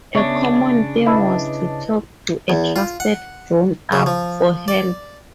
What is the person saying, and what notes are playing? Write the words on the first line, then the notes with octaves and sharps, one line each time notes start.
A common theme was to talk to a trusted grown up for help.
C#3 B3 D4 C#5 E5
E4 B4 D#5 A5
E2
F4
F#5
C#3
F3
D5